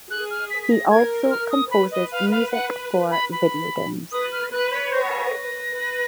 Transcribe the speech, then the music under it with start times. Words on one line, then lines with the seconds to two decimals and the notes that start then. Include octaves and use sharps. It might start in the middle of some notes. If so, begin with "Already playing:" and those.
He also composes music for videogames.
0.11 G#4 F#6
0.31 F6
0.50 B6
0.63 B6
0.71 A#6
0.91 A#4 G#6
1.30 F6
1.50 D#6
1.71 B4 B5
1.91 D#5
2.12 F5
2.31 F5
2.51 F#5
3.11 B5
3.32 B5
4.12 B4 D#6
4.32 F6
4.52 B4 F#6
4.72 B6
4.92 C#5 A#6
5.32 B4
5.72 B4